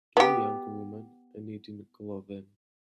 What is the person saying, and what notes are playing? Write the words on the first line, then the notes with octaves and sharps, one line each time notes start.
Two young women knitting clothing.
B3 G4